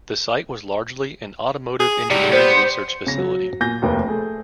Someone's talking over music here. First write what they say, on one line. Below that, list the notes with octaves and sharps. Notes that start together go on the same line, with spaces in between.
The site was largely an automotive engineering research facility.
G#4
C3 F#3 G3
B3 C5
C#3 A#6
F#3
A#2 G#5 G6 A#6
F1 D#2 A#4 B4
A3 G#4